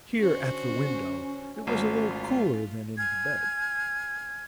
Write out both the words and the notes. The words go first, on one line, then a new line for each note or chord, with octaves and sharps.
Here at the window it was a little cooler than in the bed.
D3 C#4 F#4 C5
G#1 A3 F4
G#5 F6 G#6